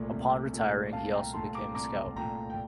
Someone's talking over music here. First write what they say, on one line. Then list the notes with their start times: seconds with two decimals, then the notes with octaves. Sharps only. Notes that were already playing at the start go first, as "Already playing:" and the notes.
Upon retiring, he also became a scout.
Already playing: C2 A#2 A3
0.10 C2
0.52 A#2 A3
0.93 C2 F5 A5
1.13 G5 A#5
1.34 A#2 A3 A5 C6
1.55 A#5 D6
1.75 C2 A#5 D6
2.16 A#2 A3 G5 A#5
2.50 G5